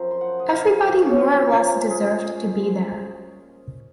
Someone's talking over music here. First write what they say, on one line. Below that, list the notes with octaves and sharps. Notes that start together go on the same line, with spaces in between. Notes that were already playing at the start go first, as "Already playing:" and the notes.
Everybody more or less deserved to be there.
Already playing: F#2 F3 C4 C5 A#5
C6
F#5
D#5
F5
F5
A#2 G#3 C#4 C#5
C5
G#4